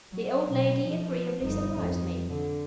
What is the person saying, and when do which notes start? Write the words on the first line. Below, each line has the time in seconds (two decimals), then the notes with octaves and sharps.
The old lady agreeably surprised me.
0.12 F#3
0.48 B2
0.87 F3
1.42 G1 D#4
1.82 F2
2.29 D3